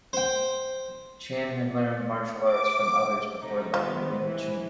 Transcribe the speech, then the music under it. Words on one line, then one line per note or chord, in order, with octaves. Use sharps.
Chan had learned martial arts from others before learning wing chun.
C5 G5
D6
C3 A3 D#4
D#3 B3 F4 B4 C5
C3 E3 C5